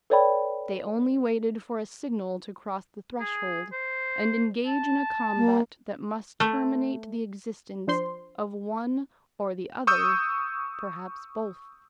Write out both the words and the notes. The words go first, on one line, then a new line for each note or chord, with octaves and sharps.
They only waited for a signal to cross the threshold; and engage in a combat that must terminate the existence of one or the other--perhaps both.
A4 B4 C#5 D5 G5 B5
G#4
C5
A5
A#3
A3
F3 D4 C5 C6
C#6 D#6 E6 G6